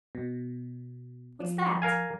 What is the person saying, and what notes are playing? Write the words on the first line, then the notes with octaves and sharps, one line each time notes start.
"What's that?"
B2
F3
A#4 F5 G#5